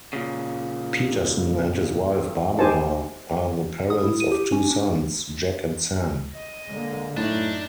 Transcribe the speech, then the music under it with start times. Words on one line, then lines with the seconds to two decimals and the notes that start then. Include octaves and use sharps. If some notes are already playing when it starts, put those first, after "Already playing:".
Petersen and his wife, Barbara, are the parents of two sons, Jack and Sam.
0.13 A#2 C#3
2.59 D#4 G4 C5 G#5 A5
3.90 D#6
4.03 E4
4.20 D#7
4.32 G4
4.52 C#4
4.71 D4
6.34 D#5
6.68 D3 G#3 A#3
7.17 F#2 A2 D4 D#4 E5